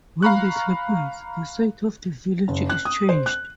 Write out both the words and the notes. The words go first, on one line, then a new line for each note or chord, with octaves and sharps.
When this happens, the site of the village is changed.
F5 A#5 B5 C#6 F#6
F#1
F#6
D#6
C5
F#6